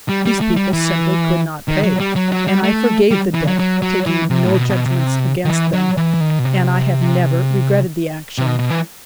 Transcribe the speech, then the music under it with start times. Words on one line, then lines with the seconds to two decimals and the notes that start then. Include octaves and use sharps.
These people simply could not pay, and I forgave the debt, taking no judgments against them, and I have never regretted the action.
0.09 G3
0.26 G3
0.41 A3
0.56 G3
0.73 E3
1.68 D#3
1.83 F#3
2.00 G3
2.16 F#3
2.32 F#3
2.48 G3
2.63 A3
3.11 G3
3.34 E3
3.47 F#3
3.59 F#3
3.82 F#3
4.06 E3
4.30 C3
4.45 A2
4.54 B2
4.70 B2
4.86 C3
5.45 D#3
5.50 E3
5.73 F#3
5.97 E3
6.14 E3
6.20 D#3
6.39 B2
6.45 C3
8.38 C3
8.46 B2
8.59 B2
8.70 E3